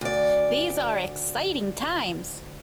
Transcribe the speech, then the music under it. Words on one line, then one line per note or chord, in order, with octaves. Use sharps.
These are exciting times.
D2 D5